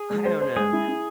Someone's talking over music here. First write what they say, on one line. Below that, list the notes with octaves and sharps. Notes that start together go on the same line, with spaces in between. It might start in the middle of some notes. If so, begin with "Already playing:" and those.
I don't know.
Already playing: G#4
G#3
C5
C5
G#3 G#4
E4
E4